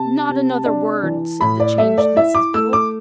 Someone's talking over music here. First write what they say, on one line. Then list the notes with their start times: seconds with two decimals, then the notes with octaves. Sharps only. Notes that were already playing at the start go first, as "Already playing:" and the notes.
'Not another word,' said the changed Mrs Biddle.
Already playing: C3 A5
0.29 C3
0.66 D4
1.03 E3
1.41 A2 B5
1.60 D5
1.78 A3 E5
1.98 D5
2.16 E4 E5
2.35 D6
2.54 A3 E6
2.73 D6